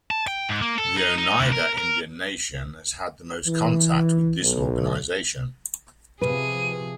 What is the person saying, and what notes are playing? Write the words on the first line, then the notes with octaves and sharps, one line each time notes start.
The Oneida Indian Nation has had the most contact with this organization.
A5
G5
G#2
A#3
A4
D#4
D#4
D2
A#4
A#4
E3
B1
C3 F3 G#4 B4 D#7